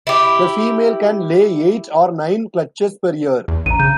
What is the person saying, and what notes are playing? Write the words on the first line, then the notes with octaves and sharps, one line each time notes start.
The female can lay eight or nine clutches per year.
E4 G4
E2
A#1 A#5 D#7
C#3 G6